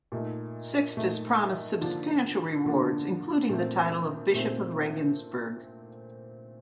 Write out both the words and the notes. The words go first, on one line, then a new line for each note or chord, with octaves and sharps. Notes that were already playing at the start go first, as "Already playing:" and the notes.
Sixtus promised substantial rewards, including the title of bishop of Regensburg.
A#2 A3 D#4
A#2 A3 D#4
D3 F3 A#3 D4 F4
D3 F3 A#3 D4 F4
A#2 A3 C4
A#2 A3 C4